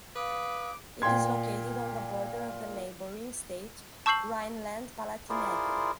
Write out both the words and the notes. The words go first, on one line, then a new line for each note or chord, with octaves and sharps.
It is located on the border of the neighbouring state Rhineland-Palatinate.
B4 F5 D6 D#6
A#2 G5 C6 G#6
A5 C#6 E6 G6 C7 F#7
E4 F4 G#4 A#4 C5 D5